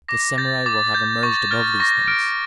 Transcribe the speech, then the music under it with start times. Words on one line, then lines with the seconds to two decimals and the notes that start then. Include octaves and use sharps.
The samurai will have emerged above these things.
0.08 D6 A#6
0.38 G6 A6
0.66 D6 A6
0.94 G6
1.23 C#6 A6
1.51 F6 A6
1.80 C#6 A#6
2.08 F6 D7